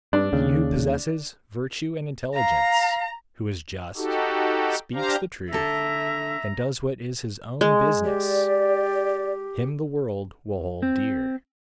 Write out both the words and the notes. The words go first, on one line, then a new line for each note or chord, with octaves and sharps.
He who possesses virtue and intelligence, who is just, speaks the truth, and does what is his own business, him the world will hold dear.
G2 D4
D#2 C#3
F5 A#5
D#4 F#4 G4 A4
D4 G4 C5 F5 A#5
D3 A4 E5 A#5
G#3
G4 D5
C4